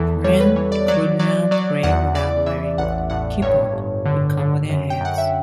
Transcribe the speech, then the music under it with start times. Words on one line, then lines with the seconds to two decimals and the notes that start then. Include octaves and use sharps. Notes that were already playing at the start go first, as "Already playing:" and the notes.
Men could now pray without wearing kippot to cover their heads.
Already playing: E2 E3 A4
0.24 G3 C#5
0.40 B4
0.56 E3 C#5
0.72 D5
0.88 F#3 D5
1.19 F#3 D5
1.51 F#3 D5
1.83 E2 F#5
2.15 E3 D5
2.46 E3 E5
2.78 A1 F#5
3.10 A2 F#5
3.42 G2 C#5
3.73 G1
4.06 D3
4.37 D3
4.69 F#2
4.90 G5
5.01 F#2 F#5
5.18 E5